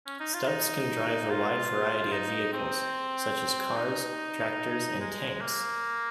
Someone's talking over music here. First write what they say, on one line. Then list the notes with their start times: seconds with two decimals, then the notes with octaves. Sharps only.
Stubbs can drive a wide variety of vehicles, such as cars, tractors and tanks.
0.06 C#4
0.20 D#4
0.34 F4
0.47 D#4
1.30 F4
2.12 D#4
2.53 C4
3.77 D#4
5.00 G#3
5.41 A#3